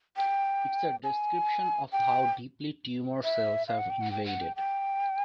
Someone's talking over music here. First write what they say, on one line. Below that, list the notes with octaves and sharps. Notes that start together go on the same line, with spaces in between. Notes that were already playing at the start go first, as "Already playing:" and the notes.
It is a description of how deeply tumor cells have invaded.
G5
G#5
G5
E5
F5
F#5
G5
F#5
G5
F#5
G5
G5